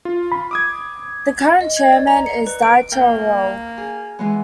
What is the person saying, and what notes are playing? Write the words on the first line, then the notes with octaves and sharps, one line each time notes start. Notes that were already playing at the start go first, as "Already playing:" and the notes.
The current chairman is Dieter Rolle.
F4
B5
D6 D#6 G#6
D#5
G#6
D5
A#5
C#7
B4
D7
A#3 G5
G#4
E3 G#3 B3